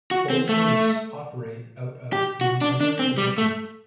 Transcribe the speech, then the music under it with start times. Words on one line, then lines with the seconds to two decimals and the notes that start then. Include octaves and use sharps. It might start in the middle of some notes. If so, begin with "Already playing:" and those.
Both Routes operate out of Montgomery division.
0.11 F#4
0.30 C4
0.49 A3
2.13 G4
2.41 F#4
2.61 D4
2.81 D4
2.99 C4
3.18 G3
3.38 A3